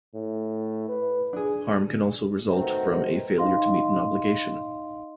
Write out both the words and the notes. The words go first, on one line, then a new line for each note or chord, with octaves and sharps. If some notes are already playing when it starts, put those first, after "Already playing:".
Harm can also result from a failure to meet an obligation.
A2
B4
D4 G#4
B2 D#3 A3 C4 F#4 A#4
D#4 D#5 F5 C6